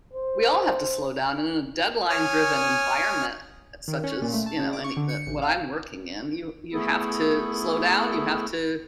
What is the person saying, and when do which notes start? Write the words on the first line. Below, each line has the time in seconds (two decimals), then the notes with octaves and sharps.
we all have to slow down and in a deadline-driven environment such as, you know, any n what I'm working in, you you have to slow down, you have to
0.13 C5
2.10 C#5 G#5 D#6 F6
3.88 D#3
4.04 C#4
4.22 A#2
4.34 A3
4.46 A5
4.59 C#3
4.73 D6
4.84 C#6
4.97 D3
5.09 C#7
5.27 A1
5.42 F5
6.73 A3 B3 E4 G#4 A4